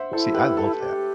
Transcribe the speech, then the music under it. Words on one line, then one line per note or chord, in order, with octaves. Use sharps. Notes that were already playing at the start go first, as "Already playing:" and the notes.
See, I love that.
Already playing: C5 E5 F#5
E4 A4 C5
G4 B4
A4
G4